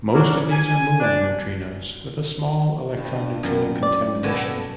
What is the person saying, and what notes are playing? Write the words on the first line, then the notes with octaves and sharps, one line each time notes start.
Most of these are muon neutrinos, with a small electron neutrino contamination.
F#3 C#4 D4 G#4 A#4
G#5
D4
G2
F#2
D5
B2 A#3 B3 A4 G#5